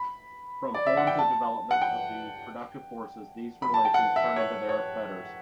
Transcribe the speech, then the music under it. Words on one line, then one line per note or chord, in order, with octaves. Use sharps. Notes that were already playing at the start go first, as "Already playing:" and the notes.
From forms of development of the productive forces these relations turn into their fetters.
Already playing: B5
D5
E5
F#5
G5
A5
F#5
G5
B5
A5
G5
F#5
E5
C#5
C#5